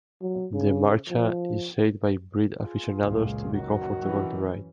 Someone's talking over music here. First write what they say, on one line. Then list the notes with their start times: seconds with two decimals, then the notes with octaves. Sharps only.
The "marcha" is said by breed aficionados to be comfortable to ride.
0.22 F#3
0.54 C#3
1.09 F3
2.61 F4 G#4
3.01 F#1 C#2 A#2
3.52 D#3 F#3 F#4
3.99 F#2 E3 C#4